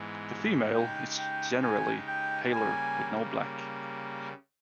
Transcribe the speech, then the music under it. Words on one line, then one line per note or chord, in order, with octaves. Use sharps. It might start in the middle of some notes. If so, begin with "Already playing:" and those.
The female is generally paler, with no black.
Already playing: G#2 E3 G#3 B3
C#3 G#3 D#4 G4 G5
G5
G#5
G5
C#3 G3 A#3 G#5